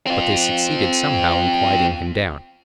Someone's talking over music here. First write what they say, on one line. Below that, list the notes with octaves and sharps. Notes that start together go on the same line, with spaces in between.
But they succeeded somehow in quieting him down.
C4 F4